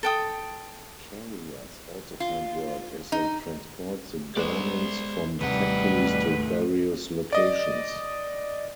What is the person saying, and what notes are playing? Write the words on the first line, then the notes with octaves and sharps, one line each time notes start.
Carriers also find work as they transport the garments from factories to various locations.
A4 G5 D#6
F4
D#4
G#3 B3 C5 D5
D#2 A2 C3 G3 B4 F#5
D5 D#5